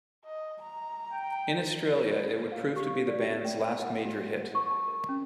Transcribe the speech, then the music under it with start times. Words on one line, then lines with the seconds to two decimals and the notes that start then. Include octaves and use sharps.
In Australia it would prove to be the band's last major hit.
0.25 D#5
0.62 A#5
1.13 G5
2.52 F5
2.76 G4
3.08 D5
3.45 G5
3.61 A#4
3.82 F#5
4.05 F#4
4.29 F4
4.55 C#6
4.71 A5
4.88 A#4
5.09 C#4